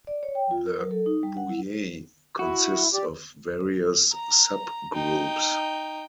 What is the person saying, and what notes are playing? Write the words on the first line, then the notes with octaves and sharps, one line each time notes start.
The Bouyei consist of various subgroups.
D5
C#5
G5
F4
A#4
F#3
A4
D#4
G3
F#5
E4
E4 F#4
G4 D5
A#5
D#4 G5